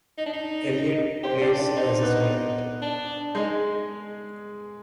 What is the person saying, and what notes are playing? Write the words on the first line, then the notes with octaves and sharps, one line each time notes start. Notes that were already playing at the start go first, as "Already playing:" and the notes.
Elliott plays as a striker.
D#4
D4
D#4
C4 G4 C5
D4 D5
D4 D5
C4 D#4 C5
B3 B4
D4
G#3 D#4 G#4